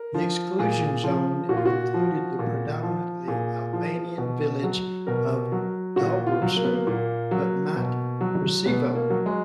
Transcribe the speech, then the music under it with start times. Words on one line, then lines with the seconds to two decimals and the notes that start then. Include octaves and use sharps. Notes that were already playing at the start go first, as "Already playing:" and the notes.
The exclusion zone included the predominantly Albanian village of Dobrosin, but not Preševo.
Already playing: A#4
0.14 F3
0.59 A#2 G#4
1.04 F3
1.49 A#2 F#4
1.57 F4
1.66 F#4
1.94 F3
2.39 A#2
2.83 F3
3.28 A#2 G#4
3.73 F3
4.18 B2
4.63 F#3
5.07 B2 A#4
5.52 F#3
5.96 A#2 F#4
6.27 F4
6.42 F#3
6.56 A#3
6.65 B3
6.73 A#3
6.87 A#2 A#3
7.31 F#3
7.76 B2
8.21 F#3
8.66 B2 B3
8.95 A#3
9.10 F#3
9.26 G#3